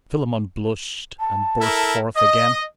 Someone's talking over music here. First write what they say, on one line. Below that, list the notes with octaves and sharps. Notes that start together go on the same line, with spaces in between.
Philammon blushed and burst forth again.
A5
E4 A4 A#4
D#5 D#6